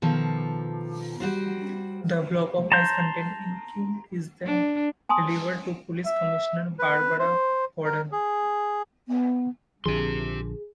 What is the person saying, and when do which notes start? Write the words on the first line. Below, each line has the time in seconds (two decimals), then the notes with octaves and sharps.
The block of ice containing Inque is then delivered to Police Commissioner Barbara Gordon.
0.02 B2 D#3 F3 A4
1.20 G3 F#4 C5
2.72 A5 A#5 C6 G6
4.45 D4
5.09 G#5 A5 C6 D#6
6.06 E5
6.79 B4
7.19 C5
7.84 A#4
8.12 G#4
9.08 B3
9.86 A#1 D3 F3 G4 G#4 C6